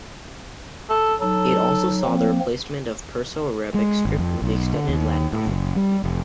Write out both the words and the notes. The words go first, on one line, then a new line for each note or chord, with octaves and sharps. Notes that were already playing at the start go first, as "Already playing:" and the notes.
It also saw the replacement of the Perso-Arabic script with the extended Latin alphabet.
A4
F#3 D#4 A4
F3 A#3 C4
G#3
G#1
F2
B1
D3
D#2
A2
F#1
G3
F1